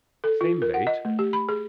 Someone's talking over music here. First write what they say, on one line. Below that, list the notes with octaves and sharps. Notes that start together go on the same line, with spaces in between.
Same bait.
A4
F4
A#4
F#5
D#5
A3
G4
B5
G#4